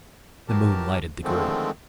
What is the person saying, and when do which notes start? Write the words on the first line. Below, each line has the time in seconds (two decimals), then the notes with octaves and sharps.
The moon lighted the group.
0.48 E3 F#3 G4 A#4 A5
1.23 D3 D#3 F3 G#3 A3 C4